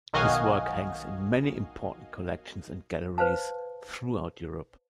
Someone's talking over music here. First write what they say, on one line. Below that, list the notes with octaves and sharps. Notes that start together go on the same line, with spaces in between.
His work hangs in many important collections and galleries throughout Europe.
B1 D#3 F#4 D#5 F5 G#5
B4 C5 F5 A5